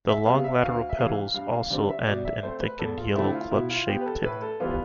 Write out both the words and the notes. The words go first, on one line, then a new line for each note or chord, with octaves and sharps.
The long, lateral petals also end in a thickened, yellow club-shaped tip.
E5
C3 G3 B3 F5
E5
D2 F5
E5
C3 E3 F5
G2 F5
F5
D3 G3 C4 D5
E5
B2 D5
E5
A3 C4 C5
B4
E2 A4
F4
D3 A3 C4 E4
F4
B2 E4
F4
B3 G4
B4
A4
A2 B4
A4
E3 G3 B3 F4
B4